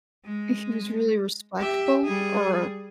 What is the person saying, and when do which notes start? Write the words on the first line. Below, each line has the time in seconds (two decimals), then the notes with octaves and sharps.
He was really respectful or
0.25 G#3
1.58 G4 E5
2.04 G3 G#4